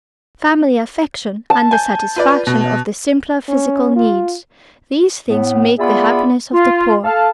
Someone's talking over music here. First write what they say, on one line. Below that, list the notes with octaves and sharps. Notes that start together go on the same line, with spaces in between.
Family affection--and the satisfaction of the simpler physical needs--these things make the happiness of the poor.
A5
G#5 G6
F4 B4 D5
B2
C#4
F4
A2 B3
B3 F4 G#4 D5 E5 B5
F4
A4 F5 A5